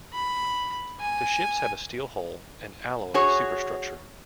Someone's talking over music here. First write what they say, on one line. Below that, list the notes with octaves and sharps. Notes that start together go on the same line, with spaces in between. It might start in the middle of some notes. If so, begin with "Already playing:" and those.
The ships have a steel hull and alloy superstructure.
B5
G#5
F#4 G#4 C#5